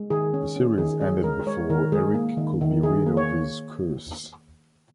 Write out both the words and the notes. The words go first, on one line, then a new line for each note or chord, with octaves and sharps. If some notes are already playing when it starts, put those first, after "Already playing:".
The series ended before Eric could be rid of his curse.
Already playing: G#3
D#3 G#4
C#4
C#4
D#3 G#4
C#4 G#4
G#3 A#4
G#3 C#5
D#3 A#4
G#3 G#4
A#3
D#3
D#3
D#3 G#4
A#3
C#5